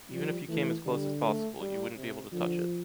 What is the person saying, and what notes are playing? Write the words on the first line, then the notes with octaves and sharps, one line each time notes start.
Even if you came as close as possible, you wouldn’t be able to touch it.
F3 G3
E3 A3
D3 G3
A3
G3
C3
D3 F3